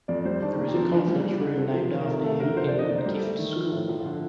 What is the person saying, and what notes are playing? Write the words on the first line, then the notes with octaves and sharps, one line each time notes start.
There is a conference room named after him in Whitgift School.
F2 D5
G3 C5
D#3 D4
A#3 D4
C4
F3
D4
D4 D#4
G3 F4
G3 F4
D3 D#4
C4 A4
A4
F3
A#4
D#3 A#4
A#4
C3 A4
A3 A4
D3 A#4
F3 C5
D5
D3
D#5
A#3 D5
C5
G3 A#4
A4
A3
D#3
F3
A2
F3
F4
D3
A4